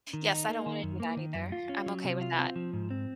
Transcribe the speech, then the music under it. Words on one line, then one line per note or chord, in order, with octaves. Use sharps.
Yes, I don't wanna do that either. I'm okay with that.
D#3
D#4
A#3
D#3
F#2
A#3
D#3
F#2
F4
C#4
F#3
C3
F4
C4
F3
G#2
C4